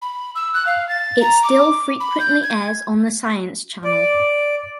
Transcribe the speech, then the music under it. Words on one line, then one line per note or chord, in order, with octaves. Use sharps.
It still frequently airs on The Science Channel.
B5
E6
F#6
F5
A6
A#5
D6
B5
G6
G#6
D5